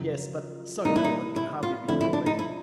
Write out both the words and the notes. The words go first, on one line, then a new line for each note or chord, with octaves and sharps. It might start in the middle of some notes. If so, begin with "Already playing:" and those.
"Yes; but so little, it can hardly be called eating."
Already playing: F#2 C#3 F3
E3 G3 A#3 D#4
E4
D#4
E4
F4
D3 F3 A3 C4 E4
E4
D4
D#4
E4